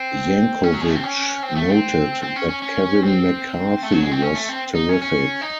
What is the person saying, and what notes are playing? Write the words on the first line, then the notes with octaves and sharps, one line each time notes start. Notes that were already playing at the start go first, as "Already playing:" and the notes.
Yankovic noted that Kevin McCarthy was terrific.
Already playing: C4
C#4
F#3
G#3
A3
C4
C#4
C4
A3
C4
C4
C#4
C#4
C#4
C4
A3
F#3
G#3
C4
C#4
A3
C4
D#4
C#4
C#4
D#4